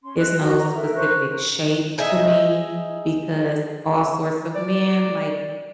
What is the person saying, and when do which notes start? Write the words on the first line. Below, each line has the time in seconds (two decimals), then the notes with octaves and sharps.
it's no specific shape to me because all sorts of men like
0.02 C#4 C6
0.17 D#5 F#6
0.40 F#4 B4 D5 D#5
0.58 A#5
0.73 A4 A#4 E5
0.95 A#4 C5 C#6 F#6
1.98 D#4 G#4 D#5 E5
4.55 D5